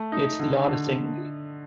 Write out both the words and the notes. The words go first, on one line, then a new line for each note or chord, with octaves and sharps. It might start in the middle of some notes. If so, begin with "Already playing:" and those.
it's the oddest thing.
Already playing: A3
D#4
D3
D3